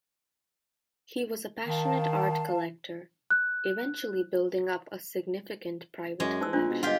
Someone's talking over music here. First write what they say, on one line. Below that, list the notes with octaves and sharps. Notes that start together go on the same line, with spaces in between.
He was a passionate art collector, eventually building up a significant private collection.
D#3 F5 A5
F#6
F#2 G#3
D#4 C5 E6
A#1 D4 F4 C5
B2
G1 F4 G4 D#5 F#5